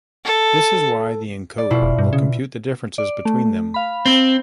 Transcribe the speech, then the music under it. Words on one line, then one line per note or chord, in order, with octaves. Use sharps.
This is why the encoder will compute the differences between them.
A4
D5
B2 E4 F4
F1
G2
C#3
D5
A3
F5 B5
C4